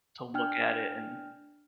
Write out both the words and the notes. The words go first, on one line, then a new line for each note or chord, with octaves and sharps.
to look at it and,
D4 G5 F6